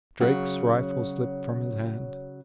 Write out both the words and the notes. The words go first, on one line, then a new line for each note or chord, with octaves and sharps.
Drake's rifle slipped from his hand.
C#3 F#3 F#4